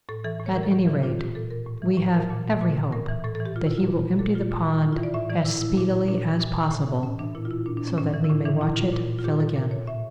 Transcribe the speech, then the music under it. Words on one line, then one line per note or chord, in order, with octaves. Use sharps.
At any rate we have every hope that he will empty the pond as speedily as possible so that we may watch it fill again.
A2 A4
E3 A4
A2
C#5
E3 A#4
A4
A2 G4
E3
A#2 F4
G4
A#2 A4
A#4
A2
E3
A2
E3 A#4
A#2
A#2
A2 A#4
E3
A2 A4
A4
E3
G4
A#2 F4
E4
F4
A#2
A#2 A4
F4
A#2
A2 E4
F4
E3
D5
A2 E5
E3 D5
A#2 E4
E4
A#2
A#2 D4
A#2
A2
E3
A2 C#4
E3 D4
A#2 E4
F4
E4
A#2 D4
D4
C#4
A2 C#4
E3
E4
A2 D4
E3 D4
A#2 E4
F4
A#2
F4
A#2 G4
A4
A#2 A#4
C#5
A2 E5